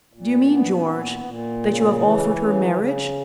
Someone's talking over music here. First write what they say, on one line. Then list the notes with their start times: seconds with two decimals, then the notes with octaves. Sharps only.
"Do you mean, George, that you have offered her marriage?"
0.13 A#2
0.51 B3
0.88 A#2
1.25 A#2
1.63 C#3
1.99 E3
2.37 C#3
2.74 C#3